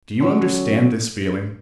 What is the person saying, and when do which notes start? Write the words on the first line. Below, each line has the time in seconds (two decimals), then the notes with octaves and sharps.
Do you understand this feeling?
0.20 D3 F#3 C#4